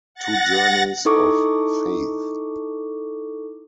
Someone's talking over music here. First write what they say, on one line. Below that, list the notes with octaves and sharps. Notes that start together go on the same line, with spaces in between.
Two Journeys of Faith.
F#5 A6 A#6
D#4 E4 A4 C#6 D6